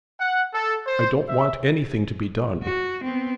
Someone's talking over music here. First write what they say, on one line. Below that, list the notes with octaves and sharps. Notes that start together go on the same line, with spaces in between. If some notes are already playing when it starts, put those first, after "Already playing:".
I don't want anything to be done.
F#5
A4
C5
E5
F#4
B3 C4